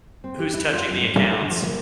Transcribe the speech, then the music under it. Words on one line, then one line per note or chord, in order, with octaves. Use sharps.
Who's touching the accounts?
C4
G4
E4
F4
F#2
A2
G3
A3
D3
F3
A#3